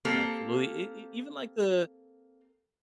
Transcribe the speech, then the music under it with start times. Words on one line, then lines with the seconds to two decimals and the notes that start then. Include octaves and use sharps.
Absolutely, e e even like the
0.05 A#3 C4 G4 A4